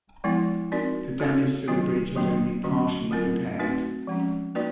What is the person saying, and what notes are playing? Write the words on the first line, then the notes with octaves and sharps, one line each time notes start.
The damage to the bridge was only partially repaired.
F3 G#3 B3 E4
C4 D#4 F#4 A#4 D5
C4 D#4 F#4 A4 C#5
D#3 F#3 B3 D4 F4
D#3 F#3 A#3 D4
D3 F#3 A3 C#4 F#4
F#3 A3 C4 F4 A#4
A3 C4 D#4 F#4 B4
F3 G#3 C#4
A#3 D#4 F#4 B4 D5